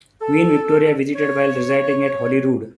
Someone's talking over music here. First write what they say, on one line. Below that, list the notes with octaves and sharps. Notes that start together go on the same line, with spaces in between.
Queen Victoria visited while residing at Holyrood.
A4
C#5